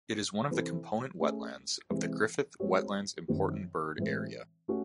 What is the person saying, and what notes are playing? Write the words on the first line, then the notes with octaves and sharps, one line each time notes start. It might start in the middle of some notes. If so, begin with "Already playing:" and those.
It is one of the component wetlands of the Griffith Wetlands Important Bird Area.
C3 E3 C4 E4 A4
A3 C#4 G#4
C3 E3 G#3 C4
G#3 C4 F#4 C#5
F#2 D#3 F#3 C4 F#4
A2 E3 G#3 C4
A3 C#4 F#4